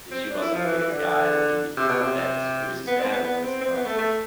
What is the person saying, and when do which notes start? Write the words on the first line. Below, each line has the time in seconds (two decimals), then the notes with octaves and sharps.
she wasn't with the guy that he that his who was his dad was, um,
0.11 C4
0.29 D4
0.41 E4
0.53 F3
0.65 E3
0.78 E3
0.91 D3
1.77 C3
1.89 B2
2.01 C3
2.87 B3
3.00 C4
3.12 B3
3.24 B3
3.43 C4
3.61 C4
3.73 B3
3.85 A3
3.98 A3